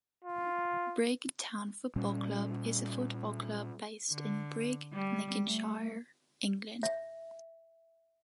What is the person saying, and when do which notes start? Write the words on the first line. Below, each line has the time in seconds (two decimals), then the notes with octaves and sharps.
Brigg Town Football Club is a football club based in Brigg, Lincolnshire, England.
0.24 F4
1.96 A#2 G3 C#4
4.12 D3
4.93 G3
5.45 A3
6.83 E5